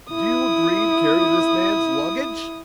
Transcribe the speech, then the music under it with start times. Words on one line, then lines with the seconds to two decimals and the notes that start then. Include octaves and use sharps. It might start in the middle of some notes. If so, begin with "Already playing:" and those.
"Did you agree to carry this man's luggage?"
0.11 E4 D#6